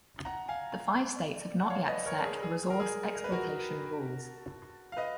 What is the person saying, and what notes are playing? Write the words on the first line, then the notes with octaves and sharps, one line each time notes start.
The five states have not yet set resource exploitation rules.
F#5 A#5
F5 G#5
F#5
C#5 F5
B4 D#5
A#4 C#5
G#4
G#4
A#4
G#4
A#4
B4
F#4 A#4
F5
B4 D#5